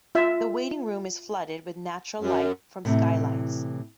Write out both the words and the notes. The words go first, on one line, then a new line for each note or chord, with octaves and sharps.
The waiting room is flooded with natural light from skylights.
F4 E5
F#2
A2 C3 E3